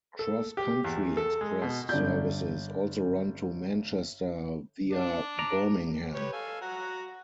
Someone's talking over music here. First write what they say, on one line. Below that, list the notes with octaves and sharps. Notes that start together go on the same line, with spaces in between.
CrossCountry express services also run to Manchester via Birmingham.
A4
G4
E2
A4
G#3
B2
G1 D5 G6
D4
D5 A#5
G4 B4 C#5
A4 F5 G#5
F#4 F#5 A#5